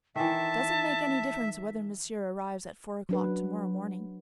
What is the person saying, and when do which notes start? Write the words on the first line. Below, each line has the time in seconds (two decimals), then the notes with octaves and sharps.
"Does it make any difference whether Monsieur arrives at four o'clock to-morrow morning?"
0.16 D#3 E3 E5 A5
3.09 F#3 D4 B4